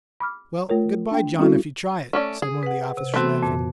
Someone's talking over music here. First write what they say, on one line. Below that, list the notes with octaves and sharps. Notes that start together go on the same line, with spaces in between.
"Well, good-bye, John, if you try it," said one of the officers, laughing.
B5 D6 F6
A3 F4 A#4 C#5
D4 G5
G3 C4 C#4 E4 F#4 A4
A3 C#4 D5
G#4
B4 F#5
C3
E3 A3 B3 C4 F#4
F2 A#2